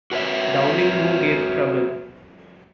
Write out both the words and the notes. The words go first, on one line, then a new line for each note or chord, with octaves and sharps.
Downing who gave trouble.
F#4 B4 C#5 E5